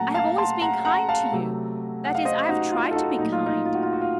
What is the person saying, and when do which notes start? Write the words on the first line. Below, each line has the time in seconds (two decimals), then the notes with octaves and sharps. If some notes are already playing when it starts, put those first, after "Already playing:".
I have always been kind to you--that is, I have tried to be kind.
Already playing: A#2 F#3 A3 F#5 A5 A#5
0.14 F5 A5
0.38 A5 C6
0.62 F#5 A#5
0.85 F#5 A#5
1.09 F5 A5
1.32 C3 F#3 A3
2.05 F#5
2.15 F5
2.25 C5 D#5
2.48 D#4 F#4
2.72 F4
2.91 A4
2.95 D#4 F#4
3.19 A#2 F#3 A3 D#4
3.32 F4
3.46 D#4
3.66 F4
3.74 F#4
3.83 F4
3.93 F#4
4.01 F4